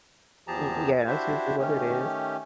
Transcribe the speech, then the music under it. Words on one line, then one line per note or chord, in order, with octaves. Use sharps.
M mm, yeah, that's usually what it is.
E2 F3 G4 G#4 A5 A#5
D4 E4 F#4 G4 C5 E5
D#3 A3 C#4 G4